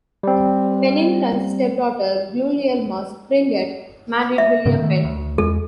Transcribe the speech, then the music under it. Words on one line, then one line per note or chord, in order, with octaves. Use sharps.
Penington's stepdaughter Gulielma Springett married William Penn.
G3 C4
E5
G#2 C#3 B3
D#3 A3
D2
E2 G#3 A4